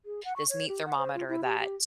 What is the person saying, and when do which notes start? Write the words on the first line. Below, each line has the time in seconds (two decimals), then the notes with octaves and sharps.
this meat thermometer that
0.05 G#4
0.24 F#5
0.36 C#6
0.49 C#5
0.68 G4
0.85 F#5
0.97 C5
1.15 F4
1.28 E4
1.44 G4
1.59 G4